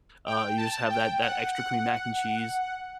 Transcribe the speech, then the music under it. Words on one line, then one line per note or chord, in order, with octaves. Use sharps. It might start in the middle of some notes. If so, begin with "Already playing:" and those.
uh, you just have that that extra creamy mac and cheese,
G5
A5
G5
F#5
F#5
F#5